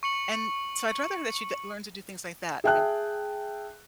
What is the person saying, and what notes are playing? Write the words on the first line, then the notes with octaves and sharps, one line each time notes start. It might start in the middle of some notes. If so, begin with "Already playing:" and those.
and so I'd rather that she'd that learn to do things like that. You know?
C#6 C#7 F#7
G#4 E5 G5 A5 F#6